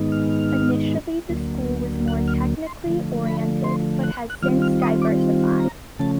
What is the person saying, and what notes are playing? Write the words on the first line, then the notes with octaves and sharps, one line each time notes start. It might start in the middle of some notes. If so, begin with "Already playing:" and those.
Initially the school was more technically oriented but has since diversified.
Already playing: G#2 D#3 G#3 B3 D#4
F6
D2 D3 F#3 A#3
F#6
F6
C6
D3 F3 A3
B5
C6
F#6
F#6
D#3 G3 C4 F4 F6
F6
D#6
D6
A#5
C#3 F3 A3 C#4 A5